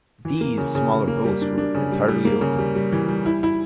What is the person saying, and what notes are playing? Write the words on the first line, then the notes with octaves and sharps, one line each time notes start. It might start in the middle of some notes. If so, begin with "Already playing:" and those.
These smaller boats were entirely open.
E3
A#3
C#3
C#3
C#3
A#3
G3
D4
D4
C#3
G3
G3
A#3
C#3
G3
G3
E3
G3
E4
E4